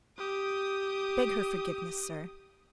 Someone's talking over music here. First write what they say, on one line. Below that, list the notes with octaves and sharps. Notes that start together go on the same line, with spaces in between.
Beg her forgiveness, sir.
G4 D#6